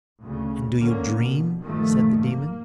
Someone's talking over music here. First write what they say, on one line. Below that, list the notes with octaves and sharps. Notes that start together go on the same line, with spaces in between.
"And do you dream?" said the daemon.
D2 C#3
D3 A#3 C#4
B2
G2 A#2 D#3 F3 A3
A#3